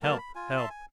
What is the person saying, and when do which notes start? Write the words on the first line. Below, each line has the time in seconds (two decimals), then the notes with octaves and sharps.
"Help! help!"
0.03 F#3 A#3 A#4 A5
0.18 B5
0.35 F4 G#5
0.57 E5 A5 C6
0.70 G#5